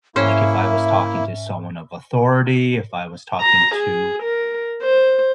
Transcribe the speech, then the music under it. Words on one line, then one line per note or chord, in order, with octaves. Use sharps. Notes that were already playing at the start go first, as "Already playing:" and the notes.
like, if I was talking to someone of authority, if I was talking to
G#2 A#3 C#4 E4 C5 E5
A#5
G#4
A#4
C5